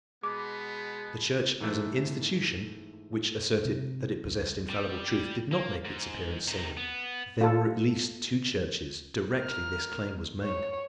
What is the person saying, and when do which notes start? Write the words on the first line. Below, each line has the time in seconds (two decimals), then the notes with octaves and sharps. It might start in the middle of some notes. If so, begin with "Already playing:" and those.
The Church, as an institution which asserted that it possessed infallible truth, did not make its appearance singly; there were at least two churches directly this claim was made.
0.23 B2 G#3 B3 D6
1.61 G#2 E3 A3
3.65 C3
4.25 C#2
4.70 G3
5.52 A#3
5.85 G#2
6.48 C3 D#4
6.77 B3
7.41 F4 A4
9.38 A#4 F6
10.43 C#5